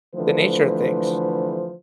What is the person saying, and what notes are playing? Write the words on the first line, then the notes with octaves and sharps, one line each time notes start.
the nature of things.
D3 E3 F3 A3 B4 C5